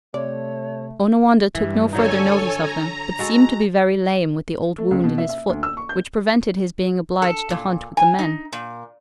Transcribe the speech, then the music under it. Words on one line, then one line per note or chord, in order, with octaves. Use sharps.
Onawandah took no further notice of them, but seemed to be very lame with the old wound in his foot, which prevented his being obliged to hunt with the men.
C3 A3 C#5 D5
G2 E3
D3 F#3 D#4 A4 C#5 G#5
A#5
G#3 F#4 A4
A3
C#2
B2
E5
E5
D2
E6
C#6
G6
A4
A#2
G#5
D#4
A#2